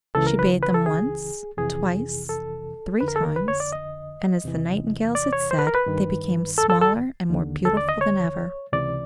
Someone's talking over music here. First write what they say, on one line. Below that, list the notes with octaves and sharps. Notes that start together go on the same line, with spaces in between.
She bathed them once, twice, three times, and, as the nightingales had said, they became smaller and more beautiful than ever.
C#2 C#3 E3 A4
A#4
B4
B4
A4
G#4
F2 C3 E3 G#4
A4
F2 D3 B4
A#4
A4
A#4
B4
C#5
D5
D#5
E2 C3 E3
D5
C#5
C5
B4
A#4
B4
G2 D#3
A4
A4
A4
D#2 D3
A4
D5
D#5
C#5
C#2 C3 E3 D5